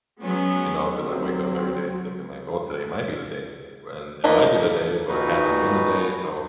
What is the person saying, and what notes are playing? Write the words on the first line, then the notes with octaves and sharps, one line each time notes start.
you know, 'cause I wake up every day thinking like, "Oh, today might be the day, and it might be the day, but it hasn't been the day so,
F#3 G#3 B3 C#4
F#3 C4
F3 A#3 D#4 A#4 B4
D#2 A#2 D#4 F#4 B4